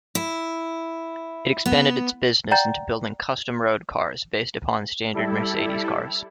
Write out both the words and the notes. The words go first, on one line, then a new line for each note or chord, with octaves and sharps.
It expanded its business into building "custom" road cars based upon standard Mercedes cars.
E4
B3
D5 F#5 G5 A#5 G6 A6
G3 E4 A4